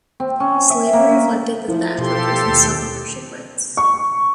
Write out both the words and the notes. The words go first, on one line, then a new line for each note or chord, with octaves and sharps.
Slavery reflected the theft of a person's self-ownership rights.
C4
C#4
E5
A#3
F3 E4
B2 G4 A4 C6
D#2
C#6